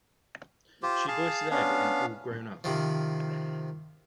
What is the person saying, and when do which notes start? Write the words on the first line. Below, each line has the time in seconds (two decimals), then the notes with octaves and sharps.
She voiced Z in "All Grown Up".
0.83 F4 G4 C5
1.08 G#4 F5 A5
1.50 B3 C#4 D4 F5
2.64 C3 D#3 F3